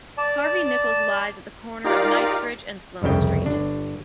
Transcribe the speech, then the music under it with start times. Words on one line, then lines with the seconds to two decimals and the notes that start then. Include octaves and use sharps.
Harvey Nichols lies at the corner of Knightsbridge and Sloane Street.
0.18 D5 A5
1.84 D#4 F4 G4 A#4 D5 F5
3.02 G1 C2 F2 C#3 G5
3.46 G1 D4